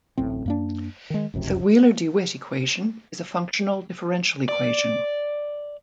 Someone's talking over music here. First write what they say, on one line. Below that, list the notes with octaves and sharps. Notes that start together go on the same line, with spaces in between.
The Wheeler-DeWitt equation is a functional differential equation.
D1 A1 A2 C4
F#2 A#3 D4
D#3 G#3
F1 C#2 F#2 C3
D5